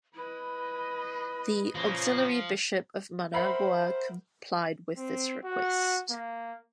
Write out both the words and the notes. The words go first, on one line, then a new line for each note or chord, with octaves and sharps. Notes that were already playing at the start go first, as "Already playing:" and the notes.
The auxiliary Bishop of Managua complied with this request.
E4 B4 D#5
A#2 C#3 F3 A#6
A#4 C5 E5 F#5 B5 C7
C4
F#4
A#3